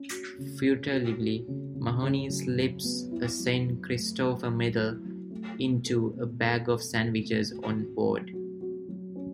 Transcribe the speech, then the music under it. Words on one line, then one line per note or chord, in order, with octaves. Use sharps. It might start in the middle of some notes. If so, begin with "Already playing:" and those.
Furtively, Mahoney slips a Saint Christopher medal into a bag of sandwiches on board.
Already playing: C#4
F#4
C#3
C#4
F#4
F#4
C#3
C#3
C#3
F#3
F#3
B3
E4
F#3
F#3
A3
F#3
F#3
E4
F#3
A3
B2
A4
B2
A4
A4
A4
A3
F#4
F#4
F#3
F#4
F#4
F#3
C#4